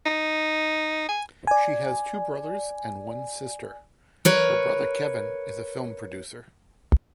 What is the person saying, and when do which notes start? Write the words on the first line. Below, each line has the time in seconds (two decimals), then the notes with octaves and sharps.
She has two brothers and one sister; her brother Kevin is a film producer.
0.06 D#4
1.09 G#5
1.47 D5 G#5
4.25 A#4 B4 C#5